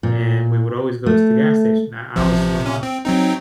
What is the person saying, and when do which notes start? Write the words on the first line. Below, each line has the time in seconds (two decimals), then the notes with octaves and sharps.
And we would always go to the gas station. I I was from a
0.03 A#2
1.06 A3
2.16 A1 C3 F3
2.61 C3 C#4
2.83 C4
3.05 F#3 C4 D#4